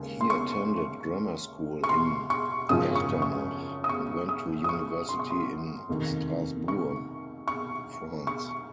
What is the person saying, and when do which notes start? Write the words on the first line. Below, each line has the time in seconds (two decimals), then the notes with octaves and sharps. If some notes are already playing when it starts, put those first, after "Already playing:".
He attended grammar school in Echternach and went to university in Strasbourg, France.
Already playing: D#2 C#3 G#3
0.21 C6
0.30 C#6
1.84 C#6
1.89 C6
2.30 C#6
2.69 G#1 F#2 C#3 F3 D#6
2.95 C#6
3.22 C#6
3.84 D#6
3.89 C#6
4.29 D#6
4.64 D#6
4.69 C#6
5.09 C6
5.19 C#6
5.30 C6
5.88 F1 D#2 D#3 A#3
6.68 C#6
7.48 C#6
8.27 C#6